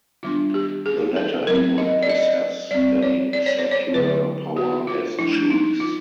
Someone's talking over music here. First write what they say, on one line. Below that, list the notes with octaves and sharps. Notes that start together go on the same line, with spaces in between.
The latter do not possess any secular power as chiefs.
D#3 G3 B3 D4 F4
G4
G#4
A4
F#3 A3 C4 A#4
D#5
D5
D#5
G3 C4 D5
C#5
D5
C#5
C5
C#5
D3 F#3 A3 B4
F#4
F4
F3 A3 D4 E4
D#4
F4